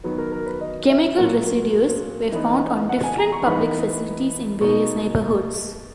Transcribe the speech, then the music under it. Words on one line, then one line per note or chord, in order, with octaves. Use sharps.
Chemical residues were found on different public facilities in various neighbourhoods.
D#3 F#3 B3
A#4
A#4
B4
D#5
E5
A#2 F#3 A#3 F#5
E3 B3 D#4
F#5
G#5
A#5
C#6
E3 B3 D#4 B5
B2 A#3 D#4 C#6